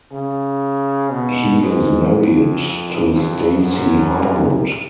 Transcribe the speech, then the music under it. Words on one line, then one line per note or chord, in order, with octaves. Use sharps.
He is married to Stacey Harwood.
C#3
B2
G#2
F2
F2
F#2